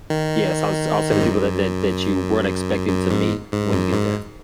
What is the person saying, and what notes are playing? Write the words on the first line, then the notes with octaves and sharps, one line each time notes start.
Yes, I would s I would say the people that that that you weren't expecting to meet when you get there.
D#3
G#2
F#2
F#2
G#2
G#2
F#2
G#2